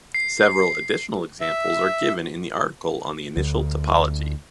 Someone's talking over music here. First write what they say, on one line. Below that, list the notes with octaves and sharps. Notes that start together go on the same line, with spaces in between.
Several additional examples are given in the article on the initial topology.
C7
E5
D2